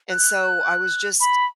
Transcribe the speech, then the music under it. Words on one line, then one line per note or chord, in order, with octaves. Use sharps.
and so I was just
F#6
B5